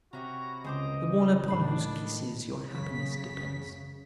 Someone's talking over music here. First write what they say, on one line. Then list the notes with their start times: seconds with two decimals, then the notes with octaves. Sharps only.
The one upon whose kisses your happiness depends.
0.13 C3 C#4 E4 F#4 G4 A#5
0.64 C#2 G#4 C5 D#5 D6
1.48 A2 D#3 D4 B5 C6
2.69 F#2 C#3 B6